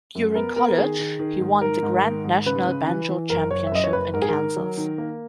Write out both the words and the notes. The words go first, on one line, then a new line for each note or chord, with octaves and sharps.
During college, he won the Grand National Banjo Championship in Kansas.
F#2
B3 A#4
B3 A#4
A#4
D#3 G#4
D#3
D#3
G#2
D#3 A#4
G#2
D#3
G#2
C#3 B4
C#3
E3
E3
F#1 A#4
F#1 C#5
E5
F#2 D#5
C#5
F#1 B4
G#2 A#4
G#4
A#4
D#3
F#3
D#3
A#3